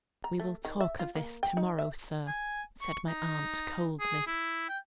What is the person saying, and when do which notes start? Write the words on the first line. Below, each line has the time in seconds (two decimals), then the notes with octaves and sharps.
'We will talk of this to-morrow, sir,' said my aunt, coldly.
0.24 A#5
0.40 A3
0.65 D#3
0.80 E5
0.99 F4
1.15 A#3
1.43 G5
1.57 D#4
1.78 E5
2.27 G#5
2.81 C#6
3.07 D#4
4.00 G#4
4.27 E4
4.68 G5